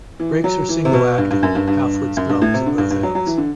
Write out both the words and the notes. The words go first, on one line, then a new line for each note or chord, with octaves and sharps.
Brakes are single acting, half width drums at both ends.
E3
F#3
E3
C3
B2
G2
G2
F#2
G2
G2
F#2
G2
A2
C3
D3
G2
G2
F#3
F#3
E3
D3